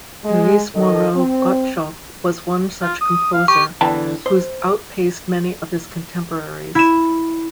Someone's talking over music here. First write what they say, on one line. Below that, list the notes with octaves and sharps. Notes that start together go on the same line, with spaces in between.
Louis Moreau Gottschalk was one such composer who outpaced many of his contemporaries.
G#3
D#3 A4 D#5
C4
F4
D#6
F5
G4 C#6
E2 D3 E3 G5 A5
C5
E4 E7